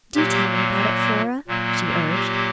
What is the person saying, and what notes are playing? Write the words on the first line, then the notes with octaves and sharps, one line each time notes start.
"Do tell me about it, Flora," she urged.
A#2 F#3 A#3 G4
A#2 F#3 A#3
G4